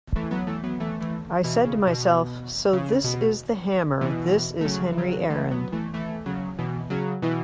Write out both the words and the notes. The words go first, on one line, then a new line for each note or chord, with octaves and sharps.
'I said to myself, so this is the Hammer, this is Henry Aaron.
E3 A3
F#3 B3
E3 A3
F#3 B3
E3 A3
E3 A3
B2 E3
C#3
B2
C#3
B2
B2 E3
A3
C#3 F#3
E3
C#3 F#3
E3 A3
F#3 B3
E3 A3
E3 A3
C#3 F#3
B2 E3
C#3 F#3
B2 E3